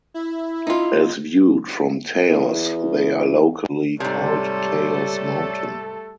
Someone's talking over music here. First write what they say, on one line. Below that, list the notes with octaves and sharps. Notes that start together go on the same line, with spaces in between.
As viewed from Taos, they are locally called Taos Mountain.
E4
D#4 F4
E2
G#2 C3 G3 A3 A4 C#5 D5